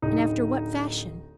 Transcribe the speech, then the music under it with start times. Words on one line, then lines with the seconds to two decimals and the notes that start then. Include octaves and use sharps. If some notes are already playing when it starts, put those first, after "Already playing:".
"And after what fashion?"
0.02 D1 D#4